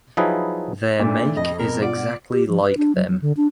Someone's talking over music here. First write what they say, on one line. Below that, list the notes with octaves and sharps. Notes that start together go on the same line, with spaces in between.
Their make is exactly like them.
F3 F#3 D#4 E4 G#4 B4
A#2 A3 D4 E4
F2 D#5
B2 A#4
F4 D5 F#5
G4
F3
B4
D4
F#3
F#3
D3
D4